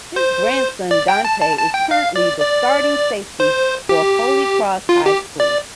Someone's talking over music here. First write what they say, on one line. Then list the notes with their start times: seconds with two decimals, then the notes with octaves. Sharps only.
His grandson Donte is currently the starting safety for Holy Cross High School.
0.16 C5
0.91 D5
1.08 G5
1.25 A5
1.41 A5
1.58 A5
1.74 G5
1.91 F5
2.16 D5
2.40 D5
3.40 C5
3.89 G4
4.89 F4
5.06 G4
5.40 D5